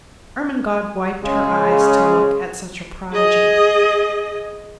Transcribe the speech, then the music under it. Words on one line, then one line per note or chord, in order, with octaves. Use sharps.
Ermengarde wiped her eyes to look at such a prodigy.
C#3 G#3
G#4 D#5